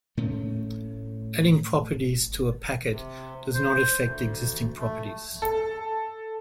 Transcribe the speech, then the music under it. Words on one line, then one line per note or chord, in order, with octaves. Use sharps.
Adding properties to a packet does not affect existing properties.
A2 A3 C#4
C3
C5
D2
A3
A4